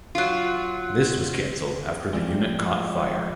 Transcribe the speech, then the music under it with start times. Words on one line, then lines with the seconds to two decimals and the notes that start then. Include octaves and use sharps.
This was cancelled after the unit caught fire.
0.15 F#3 F4
2.13 F3 G3 G#3